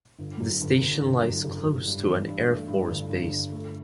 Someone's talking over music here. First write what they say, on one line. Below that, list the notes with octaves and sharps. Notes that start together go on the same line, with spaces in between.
The station lies close to an airforce base.
G1
F#2
G1
G1
G1
F#2
C#3
F#2
G2
E3
G2
A3
G2
G1
G2
G1
A3